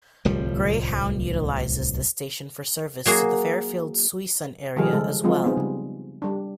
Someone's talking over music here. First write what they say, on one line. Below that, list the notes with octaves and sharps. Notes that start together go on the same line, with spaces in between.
Greyhound utilizes this station for service to the Fairfield-Suisun area as well.
D1 C2 F3 G3
F#3 A#3 F#4 G#4
D#3 F3 G3 G4 G#4 A#4
C#3 G#3 A4
F3 F#3 G#3 C4 F4
B3 C4 D#4 G#4
C#3 G3
G3 D4